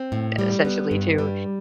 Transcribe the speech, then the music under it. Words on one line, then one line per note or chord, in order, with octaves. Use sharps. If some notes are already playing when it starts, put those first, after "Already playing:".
essentially, to
Already playing: C4
A2
G3
B3
G2
G3